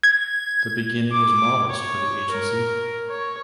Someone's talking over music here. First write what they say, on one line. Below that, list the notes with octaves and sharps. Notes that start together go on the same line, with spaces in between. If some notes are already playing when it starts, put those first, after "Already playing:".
The beginning was modest for the agency.
G#6
D6
C#5
A#4
C#5